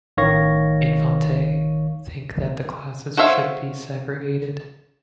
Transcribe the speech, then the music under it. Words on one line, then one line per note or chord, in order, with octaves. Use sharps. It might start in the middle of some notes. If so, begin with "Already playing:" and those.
Infante, think that the classes should be segregated.
A1 D#3 C#5 F5 C#6 A#6
F#4 C5 C#5 E5 F5